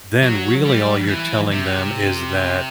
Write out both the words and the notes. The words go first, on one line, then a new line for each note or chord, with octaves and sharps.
then really all you're telling them is that
F#3
G3
E3
C3